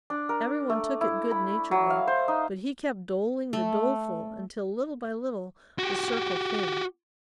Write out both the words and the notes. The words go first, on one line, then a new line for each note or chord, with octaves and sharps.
Every one took it good-naturedly, but he kept doling the doleful until little by little the circle thinned.
D4
A#4
A3
E4
B5
F#3
F5
C5
D#4
A3
F#4 G4